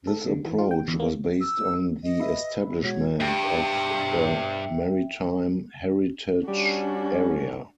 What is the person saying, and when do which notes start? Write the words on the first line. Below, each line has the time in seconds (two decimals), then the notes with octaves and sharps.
This approach was based on the establishment of the Maritime Heritage Area.
0.07 A4
0.27 D3
0.46 E3
0.58 F4
0.71 G5
0.88 E2
1.00 A#3
1.41 E6
2.03 D#5
2.20 B4 E5 B5
2.83 B2 G#3 F#4 C#5
3.20 G2 E5 G5
6.48 G3 C#4 D4 F#4